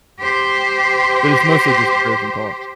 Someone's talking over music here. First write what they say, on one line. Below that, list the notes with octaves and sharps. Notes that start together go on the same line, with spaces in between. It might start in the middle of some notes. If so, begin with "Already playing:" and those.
But it's mostly just prayers and thoughts.
G4 C5